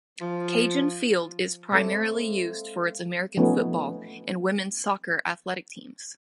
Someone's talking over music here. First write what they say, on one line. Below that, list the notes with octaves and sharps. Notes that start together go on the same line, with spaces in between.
Cajun Field is primarily used for its American football and women's soccer athletic teams.
F3
G#3 A#3 C4 A4 C#5 E5
F3 A3 B3 C#4 D#4